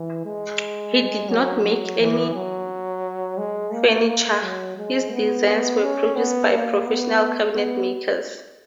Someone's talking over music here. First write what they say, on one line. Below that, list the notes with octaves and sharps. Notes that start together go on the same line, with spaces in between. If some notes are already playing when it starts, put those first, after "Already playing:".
He did not make any furniture; his designs were produced by professional cabinet makers.
Already playing: E3
G#3
F#3
F#3
E3
F#3
G#3
A#3
A#3
F#3
G#3
B3
C#4
B3
A#3
B3
B3